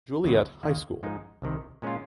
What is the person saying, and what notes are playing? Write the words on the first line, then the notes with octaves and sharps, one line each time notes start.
Juliet High school.
D#2 C#3 F#3
D#2 D#3 A#3
G#2 F3 G#3 D#4
C2 C3 D#3
A#2 G#3 C#4 F4